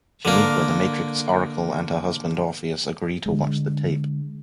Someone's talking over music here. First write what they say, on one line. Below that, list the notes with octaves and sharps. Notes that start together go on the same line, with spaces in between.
Shaneequa, the Matrix Oracle, and her husband Orpheus agree to watch the tape.
D3 A#3
D3 G#3